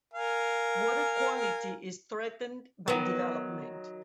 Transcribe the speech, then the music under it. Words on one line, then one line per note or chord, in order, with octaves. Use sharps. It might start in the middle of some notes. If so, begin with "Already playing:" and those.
Water quality is threatened by development.
A#4 F5 G#5
D#3 F#3 B3